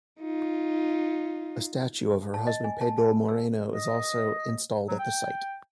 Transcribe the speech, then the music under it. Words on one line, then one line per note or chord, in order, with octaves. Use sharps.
A statue of her husband Pedro Moreno is also installed at the site.
D#4 F4
A5
D#5
G#5
A5
A5
E6
D#5
F#3
G5